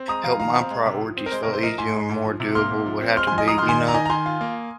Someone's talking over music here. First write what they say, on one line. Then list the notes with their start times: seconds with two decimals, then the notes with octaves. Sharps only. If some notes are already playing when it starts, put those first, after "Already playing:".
help my priorities feel easier and more doable would have to be, you know,
Already playing: C4
0.08 G#3 A#5 D#6
0.24 F2 F5 A#5
0.39 D#3 F5 A#5
0.55 C4
0.71 G#3
0.86 C3
1.02 F3
1.17 C4
1.26 A#4
1.32 G#3 C5
1.43 A#4
1.48 C3
1.53 C5
1.63 F3 A#4 D#5
1.78 G#2 G#5 C6
1.94 G#3
2.09 G#2
2.25 F3
2.40 C3
2.55 A#3 C6 F6
2.71 C3
2.86 F3
3.01 C4
3.17 G#3 C6 F6
3.27 G#5 C6
3.32 F2
3.38 D#5 G#5
3.48 G#3 A#5 D#6
3.58 C6 F6
3.63 D#3
3.69 G#5 C6
3.79 D#4
3.88 A#5
3.94 D#3 D#5 G#5
4.05 A#5
4.09 D#3 G#5 C6
4.26 F4
4.41 A#3